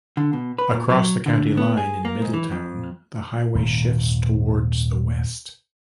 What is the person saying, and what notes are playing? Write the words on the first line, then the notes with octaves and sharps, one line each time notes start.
Across the county line in Middletown, the highway shifts towards the west.
D3
B2
B4
A#2
F#3
D3
B3
G#4
A#3
G#2
E3
F2
D#1 G#2